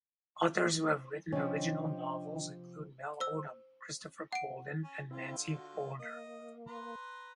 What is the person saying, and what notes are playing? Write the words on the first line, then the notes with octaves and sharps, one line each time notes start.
Authors who have written original novels include Mel Odom, Christopher Golden, and Nancy Holder.
C3 F3 C#4 D4 D#5 G5
C5 E6
F#5 D7
C#4
D3 C4 E4 F4
F#4
A#3 D#5
B4 A#5 C6